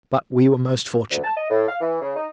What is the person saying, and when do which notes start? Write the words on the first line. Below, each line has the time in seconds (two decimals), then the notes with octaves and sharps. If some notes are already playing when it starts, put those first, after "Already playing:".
But we were most fortunate.
1.11 D2
1.24 A5
1.37 D#5
1.50 A2
1.68 F5
1.81 E3
2.01 C#3
2.16 D#4